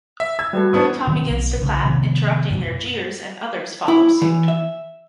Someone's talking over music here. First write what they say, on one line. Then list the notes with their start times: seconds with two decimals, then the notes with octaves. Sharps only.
Tom begins to clap, interrupting their jeers, and others follow suit.
0.20 E5
0.39 E6 G#6
0.53 G3 A3 F#4 A4 B4
0.73 E2 B3 D4 C5 A5 C#6 D#6
1.07 B2 D#3 F3 C4
1.29 B1
1.60 B1 C#3
1.85 C3 D#3 F3 B3
2.50 F#2 B2
3.88 E4
4.22 E3
4.48 E5